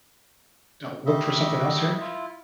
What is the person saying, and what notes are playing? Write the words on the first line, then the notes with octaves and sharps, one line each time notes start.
you know, look for something else here,
G3 A3 D#5 E5
E4 F4